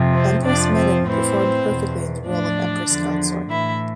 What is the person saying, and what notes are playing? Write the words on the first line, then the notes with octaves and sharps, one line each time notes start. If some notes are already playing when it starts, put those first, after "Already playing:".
Empress Menen performed perfectly in the role of Empress-consort.
Already playing: F2 C3 F3
C4 C5
F2 C3 F3 D4 D5
C4 C5
A2 E3 C4 C5
E2 B2
A2 F3 D4 D5
E2 D3 F3
A2 E3 E4 E5